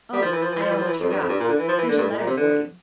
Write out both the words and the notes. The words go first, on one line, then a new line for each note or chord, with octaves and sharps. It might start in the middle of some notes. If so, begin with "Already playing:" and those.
'Oh, I almost forgot--here's a letter for you.'
G3
F3
E3
F3
E3
F3
E3
F3
E3
F2
G2
F2
G2
A#2
D3
E3
F3
E3
D3
G2
A2
A#2
C3
D3